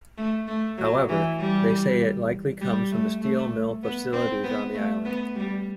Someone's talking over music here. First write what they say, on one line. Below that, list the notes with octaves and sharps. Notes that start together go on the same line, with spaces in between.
However, they say it likely comes from the steel mill facilities on the island.
A3
A3
F#3
E3
G3
G3
A3
A3
B3
C4
B3
A3
B3
G3